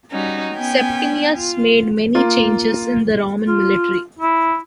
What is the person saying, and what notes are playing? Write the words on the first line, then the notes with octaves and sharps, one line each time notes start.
Septimius made many changes in the Roman military.
G3 C#4 D#4 F#4
B3 C#4 G5 G#5
F4
A#3 F4
F4
E4